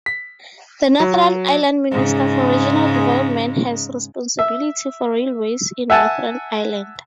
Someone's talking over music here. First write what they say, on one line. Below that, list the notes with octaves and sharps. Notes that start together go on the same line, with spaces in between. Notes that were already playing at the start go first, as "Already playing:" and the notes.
The Northern Ireland Minister for Regional Development has responsibility for railways in Northern Ireland.
B6
F#3
G#2 C#3 G#3
E5
E5 F#5 G#5 A5